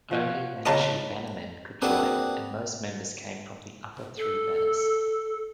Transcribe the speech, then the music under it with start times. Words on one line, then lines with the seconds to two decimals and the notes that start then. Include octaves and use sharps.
Only Manchu bannermen could join, and most members came from the upper three banners.
0.11 F3 C#5 F#5
0.66 C#3 F4 B4 D#5 A5 A#5 D#6
1.82 A#3 C4 D4 F#4 G#4 B4
4.17 A4